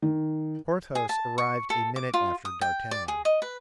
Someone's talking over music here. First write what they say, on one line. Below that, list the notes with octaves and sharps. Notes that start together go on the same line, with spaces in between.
Porthos arrived a minute after d'Artagnan.
D#3
G#4
A5
C#6
A4
D6
F4
D#6
G5
D5
G#4
D#5
B4